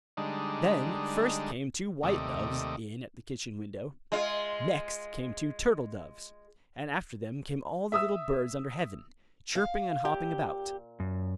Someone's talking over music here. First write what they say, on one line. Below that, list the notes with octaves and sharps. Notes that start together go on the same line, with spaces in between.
Then first came two white doves in at the kitchen window; next came two turtle-doves; and after them came all the little birds under heaven, chirping and hopping about.
D3 G3 G#3 D4 D#4
D#2 C3 A3 D5 D#5
G#3 F4
E5 D#6 E6
F5
A#2 G4
F#2